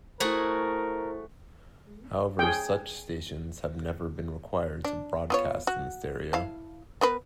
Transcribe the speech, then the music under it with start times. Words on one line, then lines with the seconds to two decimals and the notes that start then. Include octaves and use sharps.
However, such stations have never been required to broadcast in stereo.
0.20 A3 E4 F#4 G#4 A#4 C5
2.39 G#4 G5
4.84 D4
5.30 B3 F4 C#5
5.67 F#4
6.33 E4 F5 A5
7.01 B3 A#4 B4